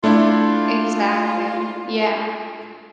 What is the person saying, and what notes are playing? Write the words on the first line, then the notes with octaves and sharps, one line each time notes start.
Exactly. Yeah.
A3 D4 E4 F4